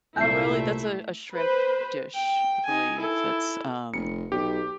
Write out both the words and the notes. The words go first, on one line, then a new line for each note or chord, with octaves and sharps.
Oh, really, that's a a shrimp dish, I believe, that's, um,
C2 A#2 A3 E4 E5 G6 C7
B4 C5
G5
D#4 G#5
E4 A4
F1 C#7
B1 G4